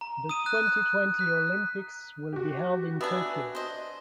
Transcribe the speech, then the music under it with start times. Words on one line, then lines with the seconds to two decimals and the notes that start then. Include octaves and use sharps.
The twenty-twenty Olympics will be held in Tokyo.
0.01 A#5
0.29 D#6 D#7
0.46 F#6
0.90 F#6
1.19 F#6 B6
2.33 F#4 G4
3.01 B3 D4 E5 G#5
3.55 C5 D#5